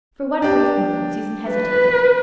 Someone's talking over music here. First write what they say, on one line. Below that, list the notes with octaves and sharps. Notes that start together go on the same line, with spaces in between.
For one brief moment Susan hesitated.
D4 G4
B4